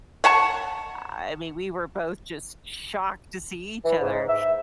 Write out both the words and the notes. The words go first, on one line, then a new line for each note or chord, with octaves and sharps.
I mean, we were both just shocked to see each other,
C#5 F#5 A5 C#6
E3
G#2
E5